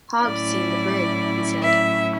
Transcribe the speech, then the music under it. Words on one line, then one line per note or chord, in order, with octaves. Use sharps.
"Hob's seen the brig," he said.
A2 F#3 C#4 E4 D5
E5